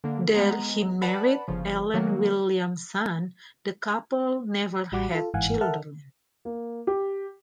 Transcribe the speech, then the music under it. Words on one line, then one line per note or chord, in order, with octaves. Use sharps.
There he married Ellen Williamson; the couple never had children.
D3 A#3
G#3 B3 A#5
B4 D5 F#5 A5 B5
G1 C#3 F3
D#3 F#3 A#3
A1 G3 F#4 F#5 D6
F4 A4
G1 G#2 E3 F5 F#5 G#5
A4 A#4 E5 F#5 A5 F6
A#3
G4